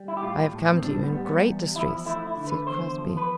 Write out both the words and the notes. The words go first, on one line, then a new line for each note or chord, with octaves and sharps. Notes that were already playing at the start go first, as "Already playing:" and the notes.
"I have come to you in great distress," said Crosbie.
Already playing: G3
E4
G4
A2 F4
A2
C4
G3 D4
B3
G3
B3
E2
F3 E4
A3 E4
E4
D3
B4
E2 C5
F3
B4